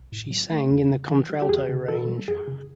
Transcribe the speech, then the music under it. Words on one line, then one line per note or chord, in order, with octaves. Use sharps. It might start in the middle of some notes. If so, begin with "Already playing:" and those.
She sang in the contralto range.
Already playing: B1
A2
F#3
A3
E2
C#3
E3
G3
G4
E2 G#4
C#3
E3 A4
G3
F#2 G#4
C#3